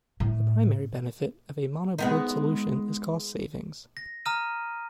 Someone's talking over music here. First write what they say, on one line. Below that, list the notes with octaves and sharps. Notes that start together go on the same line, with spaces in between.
The primary benefit of a monoboard solution is cost savings.
A2
G#3 B3 D#4
A#6
A#5 D#6 F6 D#7